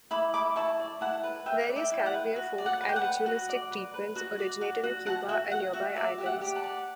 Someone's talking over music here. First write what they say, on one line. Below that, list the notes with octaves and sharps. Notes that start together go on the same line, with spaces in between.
Various Caribbean folk and ritualistic treatments originated in Cuba and nearby islands.
E4 B5 D6
E4 B5 D6
E4 A5 C#6
D5
E4 F#5 A5
B4
B4 E5 G5
D5
E5 G5
E4
G5
F#5
B4
F#4
D5
F#5
B4
G5
F#5
B4
F#4
D5
B4
B4
F#4
D5
F#4
F#4
F#4 F#5 A5
F#4 E5 G5
F#4 F#5
F#4 E5
D5 E5
G4 E5
F#5
G4
F#5 A5
D5